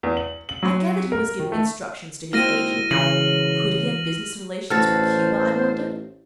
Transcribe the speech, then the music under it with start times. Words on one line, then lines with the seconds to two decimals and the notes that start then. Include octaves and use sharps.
I gathered he was giving instructions to his agent: could he have business relations with Cuba, I wondered.
0.03 E2
0.17 F#7
0.49 F#7
0.63 F#3
1.12 A#4
1.39 D#3
1.52 A3
2.33 G#3 A#3 C4 E4 F#4 F6 A#6 D#7
2.91 C#3 E3 A#6 F#7
4.70 A1 F#4 A4 C5 F6 A6